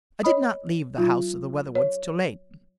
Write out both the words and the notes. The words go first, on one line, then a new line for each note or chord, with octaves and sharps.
I did not leave the house of the Weatherwoods till late.
C#5 D#5 B5 D#6
F#3 D#4 F4
C#5